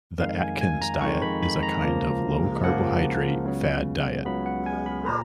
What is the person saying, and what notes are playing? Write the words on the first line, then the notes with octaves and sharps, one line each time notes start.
The Atkins diet is a kind of low-carbohydrate fad diet.
F2 D#3 G#3 F5
G#5
G#5
A#5
F2 D#3 G#3 C#6
B5
B5
A#5
C#2 C#3 F3 A#3
C#2 C#3 F3 A#3 F#5
C#2 C#3 F#3 B3
C#2 C#3 F#3 B3 B5
F#5
G#5
B5
A#2 A#5